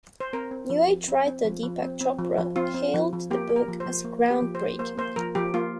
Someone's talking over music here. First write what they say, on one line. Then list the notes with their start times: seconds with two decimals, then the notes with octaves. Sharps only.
New age writer Deepak Chopra hailed the book as "ground-breaking".
0.20 C5
0.33 C4 A#4
0.51 C4
0.70 F3
0.88 F3
1.08 C4
1.26 C4
1.45 F3
1.63 F3
1.83 C4
2.01 C4
2.19 F3
2.38 F3
2.56 C4 F4
2.74 C4
2.94 F3
3.13 F3
3.30 A#3 G4
3.49 A#3
3.56 A#4
3.68 F3
3.80 C5
3.86 F3
4.05 A#3
4.24 A#3
4.30 G4
4.42 F3
4.55 C5
4.60 F3
4.79 A#3 C5
4.97 A#3 C5
5.16 F3 A#4
5.35 F3 G4
5.54 A#3 F4